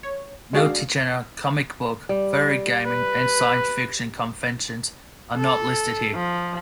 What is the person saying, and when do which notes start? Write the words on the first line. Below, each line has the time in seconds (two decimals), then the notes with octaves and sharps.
Multi-genre, comic book, furry, gaming, and science fiction conventions are not listed here.
0.03 C#5
0.53 G#3 D4 F#4 G#4 D5 F5
2.09 G3
2.86 B4
5.37 A4
6.15 F3